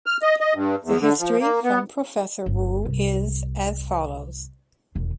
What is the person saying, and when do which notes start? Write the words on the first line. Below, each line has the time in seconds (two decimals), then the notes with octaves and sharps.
The history from Professor Wu is as follows.
0.06 F6
0.22 D#5
0.41 D#5
0.55 G2
0.85 E2
1.01 D3
1.20 F3
1.40 A#3
1.64 B3
2.46 G1
2.85 C2
4.95 E1 D#2